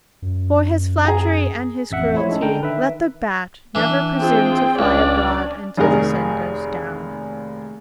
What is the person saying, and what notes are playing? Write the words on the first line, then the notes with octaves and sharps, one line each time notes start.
"For his flattery and his cruelty let the Bat never presume to fly abroad until the sun goes down," he cried.
F#2
G#4 A#5
A1 F2 E5 F#5
F3 A3 E4 C#5
G#3 C#4 D#4 A4
D3 D4 A#4 G5 A#5
D#3 B4 E5
E3 D4
C4 F4 G#4 G5
C#2 C#4 D4 D5
F1 D#2 G#4 A#4